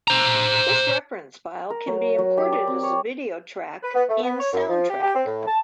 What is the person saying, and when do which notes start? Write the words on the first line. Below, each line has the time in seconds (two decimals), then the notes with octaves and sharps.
This reference file can be imported as the video track in Soundtrack.
0.08 C5 A#5
1.70 A#4
1.87 F#3
2.18 F#3
2.37 G4
2.52 D5
2.67 C4
2.83 C#5
3.83 B4
3.94 B3
4.09 A3
4.23 B3
4.39 C#5
4.53 F#2
4.69 F3
4.89 G4
5.02 G4
5.14 C4
5.26 A2
5.47 A5